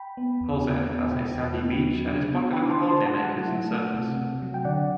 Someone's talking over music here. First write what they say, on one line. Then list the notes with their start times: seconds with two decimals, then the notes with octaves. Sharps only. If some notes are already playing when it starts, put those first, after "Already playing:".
Polzeath has a sandy beach and is popular with holiday-makers and surfers.
Already playing: G5 B5
0.17 B3
0.41 E2
0.64 B3
0.88 B3
1.11 B2 G5 B5
1.35 E2
1.58 B3
1.82 F#3
2.06 D4
2.30 B3
2.53 D4 G5 B5
2.70 A5 C6
2.77 D4
2.88 A5 C6
3.01 D4
3.06 F#5 A5
3.24 F#3 F#5 A5
3.48 E4
3.71 A3
3.94 C3
4.17 C3
4.42 F#3
4.54 G5
4.64 D3 D5 F#5